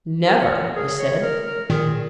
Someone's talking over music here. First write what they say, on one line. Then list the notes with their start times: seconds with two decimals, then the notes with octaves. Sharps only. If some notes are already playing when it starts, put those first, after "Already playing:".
"Never," I said.
0.28 A#4
0.41 C#5
0.54 A#4
0.76 G#4
0.99 C#5
1.23 A#4
1.46 A#4
1.70 A#2 D#3 G#4